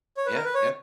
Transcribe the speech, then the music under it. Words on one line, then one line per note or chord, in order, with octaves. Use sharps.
Yeah, yeah.
C#5
B4
A#4
B4
C#5